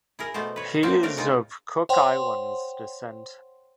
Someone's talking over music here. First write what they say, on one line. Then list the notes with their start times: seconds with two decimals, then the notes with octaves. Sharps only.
He is of Cook Islands descent.
0.19 E4 G#4 A#4
0.34 B2 A3 B3 C5
0.56 B4 C#5
0.83 F#3 A#3 C4 D4 C5
1.03 A3 D4 A#4 F5
1.17 C#3 G#3 A#3 C4 D#4 F4
1.89 C5 C#5 F#5 G5 C6